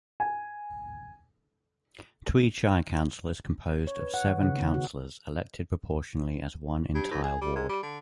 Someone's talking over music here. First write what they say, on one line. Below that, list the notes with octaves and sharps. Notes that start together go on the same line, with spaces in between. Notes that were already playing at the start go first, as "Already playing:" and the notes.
Tweed Shire Council is composed of seven Councillors elected proportionally as one entire ward.
G#5
C#5
B4
F#5
D#3
C#3
B3
F#4
G2
D#2
G#4
G3
G#2
G3
D3